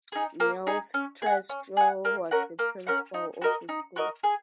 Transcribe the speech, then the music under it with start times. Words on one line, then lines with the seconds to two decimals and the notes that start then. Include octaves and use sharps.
Niels Treschow was the principal of this school.
0.12 D#4 G#4
0.40 A#3
0.67 D#4 G#4
0.94 C#4
1.22 G#4 F#5
1.49 C#4
1.77 G#4 F#5
2.05 A#3
2.31 C#4 A#4 F#5
2.59 A#3
2.87 C#4 A#4 F#5
3.14 D#4
3.42 F#4 A#4 D#5
3.69 D#4
3.96 F#4 A#4 D#5
4.23 G#4